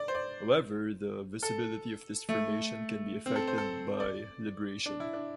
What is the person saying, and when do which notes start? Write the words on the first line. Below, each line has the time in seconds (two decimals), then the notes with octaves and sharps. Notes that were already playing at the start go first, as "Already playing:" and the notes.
However the visibility of this formation can be affected by libration.
Already playing: D5
0.08 C5
0.15 D5
1.43 A4
2.29 A3
3.26 C4
3.36 A4
3.47 C5
3.58 A4
4.00 D5
4.86 D4
5.00 E4
5.13 D4